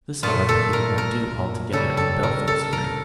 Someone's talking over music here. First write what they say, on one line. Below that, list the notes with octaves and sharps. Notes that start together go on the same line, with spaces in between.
This, however, he did not do altogether in Bellfield's hearing.
A#2 A3 F4
A4
A#4
A#4
C#3 G3 A#3 A4
A4
A#4
A4
A#4